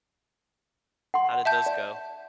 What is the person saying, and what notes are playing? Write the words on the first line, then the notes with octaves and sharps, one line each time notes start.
How did those go?
F#5 C6
E5 A5 G6
D5